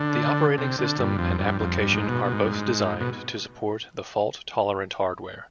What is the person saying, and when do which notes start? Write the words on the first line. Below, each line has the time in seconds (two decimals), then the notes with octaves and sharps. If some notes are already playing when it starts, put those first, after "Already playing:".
The operating system and application are both designed to support the fault tolerant hardware.
Already playing: D3
0.58 C3
0.79 D3
0.99 G2
1.18 F2
1.39 G2
1.59 F2
1.80 G2
1.94 G#2
2.09 B2
2.25 B2
2.32 G#2
2.40 G2
2.48 G#2
3.01 B2